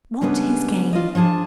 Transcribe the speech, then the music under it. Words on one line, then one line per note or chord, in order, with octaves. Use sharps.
What his game?
C#3 G3 G#3 B3 C4 D4
F4 D5 D#5
F3 D4 G#4 A5